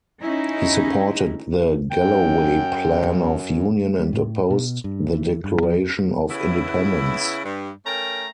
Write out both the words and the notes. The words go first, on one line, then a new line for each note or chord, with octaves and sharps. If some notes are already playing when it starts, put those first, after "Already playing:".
He supported the Galloway Plan of Union and opposed the Declaration of Independence.
C#4 D#4 E4
F#2 G5
G3
A2
B2
G2
E3
G2
F3
C#3 B3 E4
G2
A3 C#4 A#4 G5 A#5